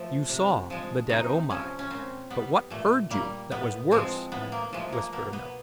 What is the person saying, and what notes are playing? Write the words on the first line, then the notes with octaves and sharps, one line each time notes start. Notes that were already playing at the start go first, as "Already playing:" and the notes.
"You saw the dead O-Mai; but what heard you that was worse?" whispered another.
Already playing: F3 A3
C3
F3 G#3
C3 D#4
F3 G#3 C#4
C#4
A#2 C4
G3 B3
A#2 A3
G3 A#3
A2 B3
F3 G#3 C4
A2 B3
A#3
F3 G#3 A3
A#3
B2 A#3
B3